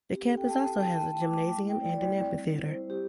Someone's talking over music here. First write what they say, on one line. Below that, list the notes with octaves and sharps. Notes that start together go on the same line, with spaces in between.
The campus also has a gymnasium and an amphitheatre.
C4 G4
A4
C4
G5
C4 A5
E4
G5
E4 A5
A3
A3 D6
A3
E4
G5
G3
D5
E4 D5
C4
G3
E4
E4 C5
G3
G4